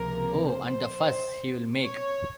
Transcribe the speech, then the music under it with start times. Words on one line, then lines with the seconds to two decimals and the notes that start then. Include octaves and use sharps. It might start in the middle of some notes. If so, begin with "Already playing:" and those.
Oh, and the fuss he’ll make!
Already playing: C#2 C3 F3 A#3 A#4
0.47 C5
1.83 C#5